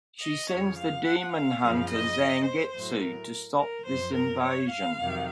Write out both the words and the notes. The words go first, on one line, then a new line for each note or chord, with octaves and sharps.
She sends the demon hunter Zangetsu to stop this invasion.
D#5
F2 C#3 F3 C#5
F5
F#5
F5
F#2 C#3 F3
D#5
C5
A2 F#3
A#4
A#4
F#2 F3 C5
A#4
C#5
F5
F2 C3 D#3 F#3